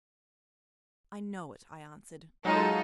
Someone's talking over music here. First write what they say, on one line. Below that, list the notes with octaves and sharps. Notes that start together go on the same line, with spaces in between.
'I know it,' I answered.
F#3 G#3 D#4 F4 A4